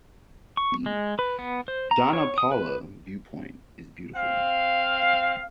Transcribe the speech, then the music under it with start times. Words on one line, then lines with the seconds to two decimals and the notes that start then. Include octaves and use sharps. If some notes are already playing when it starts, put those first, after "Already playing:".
Dona Paula view point is beautiful.
0.57 C#6
0.86 G#3
1.19 B4
1.39 B3
1.68 C5
1.91 A#5
2.13 C#5
2.38 D#6
2.52 B4
4.15 C4 F5